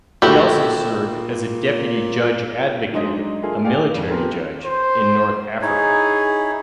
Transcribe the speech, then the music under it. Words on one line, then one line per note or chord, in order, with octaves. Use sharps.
He also served as a deputy judge advocate, a military judge, in North Africa.
A#2 A3 E4 F#4 G4
F#3 G#3 D4 D#4 C5 D#5
A#3 E4 F4 G#4 A4
G4 G#4 D5 F5 G5
F2
B3 C4 F4 G4 A4 A#4
C5
D#4 E4 G#4 C#5